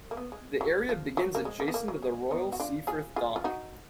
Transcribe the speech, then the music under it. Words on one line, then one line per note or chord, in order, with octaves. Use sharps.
The area begins adjacent to the Royal Seaforth Dock.
A#3
B3
G#3
F#3
F3
F#3
A#3
G#3
A#3
B3
A#3
F#3
G#3
B3 D#4
F#4
D4 F4
F4 G#4
F4 G#4
F4
D#4 F#4